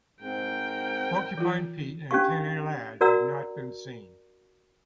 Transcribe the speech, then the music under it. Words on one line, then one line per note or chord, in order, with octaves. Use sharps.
Porcupine Pete and Antennae Lad have not been seen.
G#2 C4 A#4 G5
E3 F4
C#4 D4 G4 F5 C#6
F#4 A#4 D5 F#5 A#5 E6